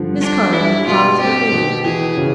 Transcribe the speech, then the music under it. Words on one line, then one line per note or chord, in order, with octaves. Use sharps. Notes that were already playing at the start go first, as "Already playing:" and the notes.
Miss Carlyle followed her in.
Already playing: G2 D3 F3
G2 D4
G3 E4
B2 F4
C4 G4
B2
E3 G#4
C#3